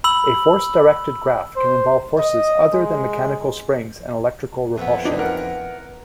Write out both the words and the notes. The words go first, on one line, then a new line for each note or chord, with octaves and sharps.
A force-directed graph can involve forces other than mechanical springs and electrical repulsion.
B5 E6 F#7
C5
D#5
G#3
F2 E3 B3
D4 D#4
A#4 F#5